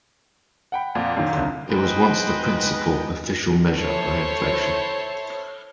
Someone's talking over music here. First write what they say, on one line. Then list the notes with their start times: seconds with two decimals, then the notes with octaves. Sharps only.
It was once the principal official measure of inflation.
0.72 F#5 G5 B5
0.95 F2 A#2
1.17 F#2 A#2 D#3
1.33 C2 D3
1.70 G#3 B3 D#4 B4 C5 D#5 G5
3.75 E4 A4 C5 C#5